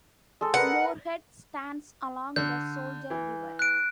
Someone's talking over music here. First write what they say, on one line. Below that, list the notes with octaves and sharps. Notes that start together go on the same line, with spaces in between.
Moorhead stands along the Soldier River.
G#3 A4
A#4 B4 F#5 D#6
D3 G6
E3
F#6 D7